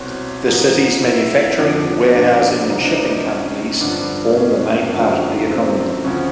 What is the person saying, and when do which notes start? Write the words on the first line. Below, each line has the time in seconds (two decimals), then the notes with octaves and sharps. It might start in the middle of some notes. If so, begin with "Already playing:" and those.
The city's manufacturing, warehousing, and shipping companies form the main part of the economy.
Already playing: C2 B2 C5 C#5
0.46 G#2 F3
1.02 E4
1.58 F2 D3 F3 D4
2.14 D4
2.69 C#2 C3 D#3 D#4
2.84 D4
2.97 D#4
3.25 C#4
3.81 G2 D3 F3 D4
4.37 C#4
4.93 F#2 D3 F3
5.49 C4
6.04 D2 C#3 F3 C#4